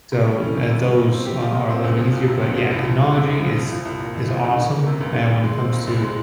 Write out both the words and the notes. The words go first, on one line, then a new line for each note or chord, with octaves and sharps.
So, eh, those are are a little easier, but, yeah, technology is is awesome and when it comes to,
C3
G3
C#4
D#3
C3
G3
A#2
C4
G4
F3
A#2
C4
C#2
F3
C#2
C3
C#2
F3
C2
F3
G#3
C3
C2
F3
C2
F3
C2
A#2
C2
F3
C#2
D#3
A#3
C3
C#2
D#3
C2
G#3
C4
A#2
C2
G#3